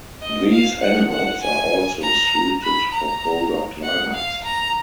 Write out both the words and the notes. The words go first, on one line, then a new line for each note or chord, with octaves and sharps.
These animals are also suited for colder climates.
D#5
F5
F#5
F#5
G#5
A#5
B5
A#5
F#5
F5
A#5